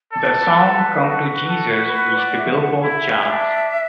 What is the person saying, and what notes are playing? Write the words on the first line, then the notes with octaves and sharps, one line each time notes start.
The song "Come to Jesus" reached the "Billboard" charts.
A4 D5
B4
B4
F#4 A4
B4
A4
B4
B4
D5
E5
F#5
E4 E5
D4